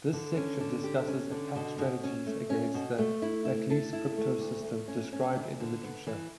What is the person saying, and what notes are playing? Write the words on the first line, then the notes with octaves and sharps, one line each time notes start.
This section discusses attack strategies against the McEliece cryptosystem described in the literature.
D3
C#4
D3
G4
C#4
D3
B2
B2
C#4
A3
C#4
B2
A3
E4
E4
A4
E4
A3
D2
A3
C#4
C#4
D2
D3
B3
E3